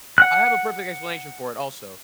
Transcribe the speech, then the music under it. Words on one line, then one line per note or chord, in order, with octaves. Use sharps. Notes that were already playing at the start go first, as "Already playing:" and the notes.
I have a perfect explanation for it also.
F#5 F#6